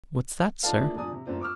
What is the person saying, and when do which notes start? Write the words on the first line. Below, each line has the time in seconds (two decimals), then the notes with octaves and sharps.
"What's that, sir?"
0.63 D4 D#4 F4 A4 B4 F5
0.78 A3 A#3 D4 E4 F4 G#4
0.95 F1 B2 F3 D4 G#5 D#6
1.12 C3
1.25 F#2 A3 B3 C4 D4 F4
1.40 C#6 D6 E6 F6